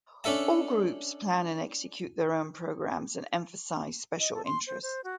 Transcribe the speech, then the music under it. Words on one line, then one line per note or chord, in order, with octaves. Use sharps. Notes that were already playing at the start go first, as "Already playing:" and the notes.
All groups plan and execute their own programs and emphasize special interests.
C#4 D4 A4 E5 A5
D#5
A4
C6
C5
C5
F#4